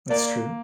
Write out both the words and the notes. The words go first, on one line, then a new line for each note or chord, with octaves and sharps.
That's true.
A#3 D5